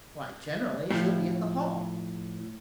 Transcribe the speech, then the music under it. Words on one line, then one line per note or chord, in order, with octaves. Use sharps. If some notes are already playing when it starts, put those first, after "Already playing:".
"Why, generally she'll be at the Hall."
A2 F3